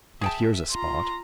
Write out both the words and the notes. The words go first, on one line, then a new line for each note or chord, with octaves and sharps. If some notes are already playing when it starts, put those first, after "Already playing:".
Yet here's a spot.
G#4 E5 G5 A5
F4 A#5 C6